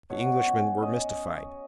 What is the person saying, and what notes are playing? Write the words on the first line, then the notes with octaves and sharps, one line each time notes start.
The Englishmen were mystified.
B2 C#5
C#4
C#4 D#5